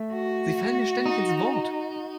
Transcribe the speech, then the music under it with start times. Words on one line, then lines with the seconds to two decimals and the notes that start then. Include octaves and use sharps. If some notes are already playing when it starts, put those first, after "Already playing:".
Sie fallen mir ständig ins Wort.
Already playing: A3
0.12 F#4
1.06 D#4